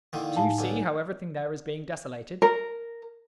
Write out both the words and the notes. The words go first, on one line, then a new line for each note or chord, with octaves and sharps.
Do you see how everything there is being desolated!
A#2 D3 D#3 D#4 E4 F5
A2 D#4 F5 G#5 A5
B1 D3
A#4